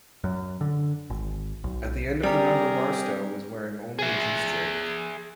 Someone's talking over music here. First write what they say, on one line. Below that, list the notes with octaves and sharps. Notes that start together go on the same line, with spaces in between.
At the end of the number Barstow was wearing only a G-string.
F#2
D3
G#1
B1
C3 G3 G4 G#4 A#4 D5 A#5
G#4 E5